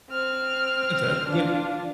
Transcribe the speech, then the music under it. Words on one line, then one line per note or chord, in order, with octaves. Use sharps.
That's a that's a good
C4 F6
D4 F4